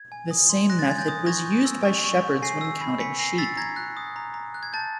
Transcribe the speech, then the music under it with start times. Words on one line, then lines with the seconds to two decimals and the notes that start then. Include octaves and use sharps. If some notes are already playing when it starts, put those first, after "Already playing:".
The same method was used by shepherds when counting sheep.
Already playing: G#6
0.12 G#5
0.31 D#6
0.50 C6
0.70 F#6 A#6
0.79 A6
0.88 G#5 G#6
0.98 G6 A6
1.08 D#6
1.26 C#6 G#6 A#6
1.46 G6
1.65 E6
1.85 C#6
2.04 C#6
2.23 G6
2.42 G#5 A#6 C7
2.61 E6
2.81 B5
2.99 G#5 B6 C#7
3.19 G#5 A#6 C7
3.38 E6 A6 B6
3.57 A#5 G#6 A#6
3.76 F#6
3.97 D#6
4.16 A#5
4.34 A#5
4.54 F#6
4.63 G#6
4.73 A5 G6 A6